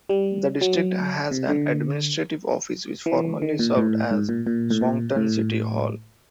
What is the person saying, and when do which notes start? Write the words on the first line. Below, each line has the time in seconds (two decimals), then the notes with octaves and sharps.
The district has an administrative office which formerly served as Songtan City Hall.
0.09 G3
0.61 F#3
1.31 C3
1.49 D3
3.06 E3
3.42 D#3
3.59 A#2
3.77 A2
4.11 G#2
4.29 A#2
4.47 A#2
4.71 A2
4.81 A#2
5.16 A2